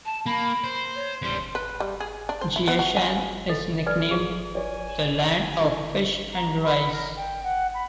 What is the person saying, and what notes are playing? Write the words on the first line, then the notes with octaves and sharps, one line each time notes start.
Jiashan is nicknamed "The Land of Fish and Rice".
A5
A#3 B5
C5
C#5
E2 G3 C6
B4
G3
G#4
D4
C5
E4
B3
F#4
G#5
A4 D#5
A4 B4 D5 G#5
G#4
B4 C#5 D5 G#5
D3 E3 D4
A#5
B5
A#4
G5
F#5
B5